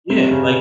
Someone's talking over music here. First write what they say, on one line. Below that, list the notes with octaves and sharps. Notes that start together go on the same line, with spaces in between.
Yeah, like
C3
C#3